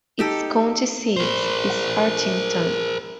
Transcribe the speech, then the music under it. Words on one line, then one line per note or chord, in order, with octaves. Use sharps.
Its county seat is Hartington.
D#4 G4 A4
A#4 C5